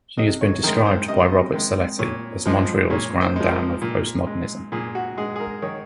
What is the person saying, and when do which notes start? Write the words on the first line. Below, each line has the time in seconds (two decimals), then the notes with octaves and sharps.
She has been described by Robert Saletti as "Montreal's grande dame of postmodernism".
0.17 C3 D#5
0.41 C#5
0.63 D#3 G#3 A#4
0.86 C5
1.08 C3 D#5
1.54 D#3 G#3
1.99 A#2 C#5
2.46 F3 G#3
2.90 A#2 C#5
3.21 C5
3.36 F3 G#3
3.51 A#4
3.82 A#2
4.27 G#3
4.72 A#2 G#4
4.95 F#4
5.17 G#3 G#4
5.36 G#4
5.40 A#4
5.62 D#3 C#5